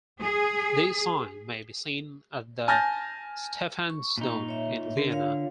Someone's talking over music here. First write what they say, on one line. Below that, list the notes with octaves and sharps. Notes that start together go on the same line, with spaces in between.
This sign may be seen at the Stephansdom in Vienna.
G#4
G#5 A5 F6 G6 A6 A#6
C#6
A#2 D#4
C#5 E5
D3 A#4
F4 C#5 F5